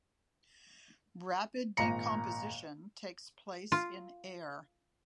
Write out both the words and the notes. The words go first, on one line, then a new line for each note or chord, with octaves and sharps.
Rapid decomposition takes place in air.
G#1 A#2 A#5 C#7
F4